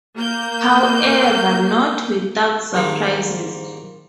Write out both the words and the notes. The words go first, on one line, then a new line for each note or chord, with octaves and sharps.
However, not without surprises.
A#3 G6
G#2 D#3 G3 A#3 C4